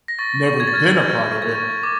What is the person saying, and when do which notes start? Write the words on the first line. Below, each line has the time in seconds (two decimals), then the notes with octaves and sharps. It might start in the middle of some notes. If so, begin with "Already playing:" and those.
never been a part of it,
0.08 A#6
0.19 C#6 A6
0.46 C#6
0.60 G#6
0.67 A6
0.74 F6 G#6
1.00 F6 G6
1.29 C#6
1.42 G#6
1.55 C#6
1.83 D6